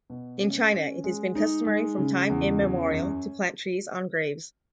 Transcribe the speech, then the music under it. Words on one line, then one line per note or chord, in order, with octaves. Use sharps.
In China it has been customary from time immemorial to plant trees on graves.
B2
C#4
C#4
G#3
D#4
G#3
C#3
E2
C#4
F#2